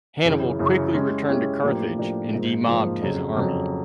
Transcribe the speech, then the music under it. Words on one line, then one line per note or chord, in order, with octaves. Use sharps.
Hannibal quickly returned to Carthage and demobbed his army.
F#2 C#3 E3
F#2 C#3 E3
G#3 C#4 E4 G4
G#3 C#4 E4 G4
A2 F3 A#3 D4 G4
A2 F3 A#3 D4 G4
G#2 F3 A#3
G#2 F3 A#3
F2 C#3 F#3
F2 C#3 F#3